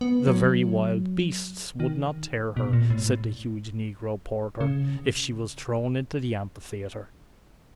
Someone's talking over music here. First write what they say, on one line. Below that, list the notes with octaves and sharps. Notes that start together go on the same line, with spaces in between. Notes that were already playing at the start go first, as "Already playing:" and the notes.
'The very wild beasts would not tear her,' said the huge negro porter, 'if she was thrown into the amphitheatre.'
B3
F#3
D#3
B2
A#2
A2
C#3